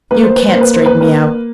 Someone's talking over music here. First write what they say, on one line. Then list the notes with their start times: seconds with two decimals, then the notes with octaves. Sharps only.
"You can't straighten me out."
0.11 A#3 B4
0.23 C5
0.36 B4
0.49 C5
0.56 A#3
0.61 B4
0.74 C5
0.86 B4
1.01 A#3 B4